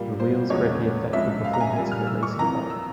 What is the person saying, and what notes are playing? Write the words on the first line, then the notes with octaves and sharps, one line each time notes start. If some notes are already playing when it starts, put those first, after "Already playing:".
The wheels greatly affect the performance of a racing bike.
Already playing: A#2 G3 A#3
C5
E2 C#3 F3 G#3 C#5
C#2 C#3 F3 G#3 E5
F5
A#5
G#5
A#2 G3 A#3 G#5
F6
E6
C#6
F2 C3 E3 A#3 A#5
E6